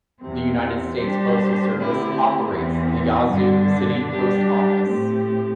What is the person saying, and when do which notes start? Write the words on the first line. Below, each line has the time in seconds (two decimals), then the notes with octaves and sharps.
The United States Postal Service operates the Yazoo City Post Office.
0.21 E2 C3 E3 C4
0.98 G3 D4 G4 C5
1.76 D3 A3 C4 E4 G4
2.54 E2 E3 C4
3.31 G2 D3 G3 D4
4.09 G3 D4 G4
4.87 A2 A3 C4 G4